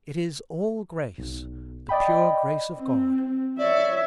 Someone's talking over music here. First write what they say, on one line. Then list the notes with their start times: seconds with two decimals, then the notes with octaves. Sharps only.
It is all grace,--the pure grace of God.
1.18 B1
1.89 D5 D#5 G5 B5
2.76 C4
3.59 C#5 D5 E5